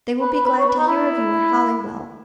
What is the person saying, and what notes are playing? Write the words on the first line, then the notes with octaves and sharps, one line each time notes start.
They will be glad to hear of you at Hollywell.
B4
B4
B4
C#5
B4
D#4
E4